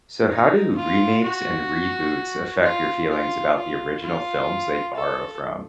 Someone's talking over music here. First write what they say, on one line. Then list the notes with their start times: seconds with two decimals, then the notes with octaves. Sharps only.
So how do remakes and reboots affect your feelings about the original films they borrow from?
0.30 D#4
0.76 F4
1.23 F#4
2.62 F4
3.10 F4
3.56 F4
4.02 F4
4.95 A4